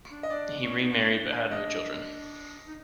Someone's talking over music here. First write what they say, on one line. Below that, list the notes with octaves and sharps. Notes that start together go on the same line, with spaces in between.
He remarried but had no children.
D4
D#5
D4 D5
C#4
D#4
D4
D4
D#5
D#4